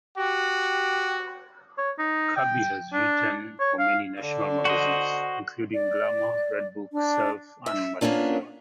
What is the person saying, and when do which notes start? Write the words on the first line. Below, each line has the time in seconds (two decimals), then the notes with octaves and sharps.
Kirby has written for many national magazines, including "Glamour", "Redbook", "Self" and "Mademoiselle".
0.17 F#4 G4
1.78 C#5
1.99 D#4
2.37 G5
2.93 D4
3.60 C#5
3.79 F5
4.21 D3
4.65 F#4 C5 D#5
5.74 D5
6.92 D4
7.66 E5
8.01 A#3 B3 C#4 D4 F4